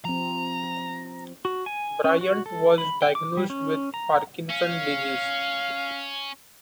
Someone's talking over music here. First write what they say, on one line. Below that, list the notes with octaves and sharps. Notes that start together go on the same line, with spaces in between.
Bryant was diagnosed with Parkinson’s disease.
F3 C4 A#5
F#4
G#5
C#4
F#4
A4
B5
G5
D6
G3
C#4
A#5
C#4 F5